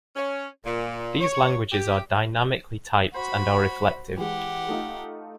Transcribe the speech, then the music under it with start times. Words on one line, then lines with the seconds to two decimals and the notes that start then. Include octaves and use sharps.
These languages are dynamically typed, and are reflective.
0.16 C#4
0.65 A#2
1.20 C#5
1.72 G4
3.14 F#4 C5 B5
4.17 E3 G#3 G4 F#5
4.69 A3 D#4 F4